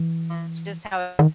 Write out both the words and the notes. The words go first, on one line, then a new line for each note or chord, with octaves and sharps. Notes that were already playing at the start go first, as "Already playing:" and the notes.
it's just how
Already playing: E3
D#3